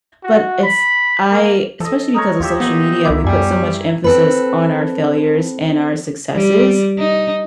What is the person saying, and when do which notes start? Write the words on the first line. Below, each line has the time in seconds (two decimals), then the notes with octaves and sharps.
but it's I especially because of social media, we put so much emphasis on our failures and our successes,
0.23 F#4
0.63 B5
1.31 A#3
1.80 F3 A4 D#5
2.14 D#4 A#4 C#5
2.40 D#2 F4 G4 E5
2.60 A#2 B3 D#4
3.05 C#2 F3 E4 D6
3.25 F#2 G3 G#5
4.04 C4 A4 B4
6.36 G3
6.98 D#4